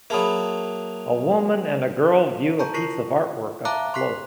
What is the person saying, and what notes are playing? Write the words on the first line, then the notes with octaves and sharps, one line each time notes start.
A woman and a girl view a piece of artwork up close.
F#3 A#3 G#4 E5 A5 B5 D#6
A5 A#5 C#6 G6
E4 F4 A#4 C#6 A#6 C7
E5 F5 A5 A#5 D6 F#6
C6 C#6 F#6 B6 C7